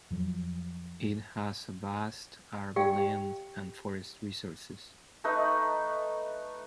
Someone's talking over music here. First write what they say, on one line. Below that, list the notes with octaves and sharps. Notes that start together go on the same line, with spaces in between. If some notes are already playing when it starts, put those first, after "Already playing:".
It has vast arable land and forest resources.
F2 F3 F#3
G4 D5 F5 G5
A3 D#4 B4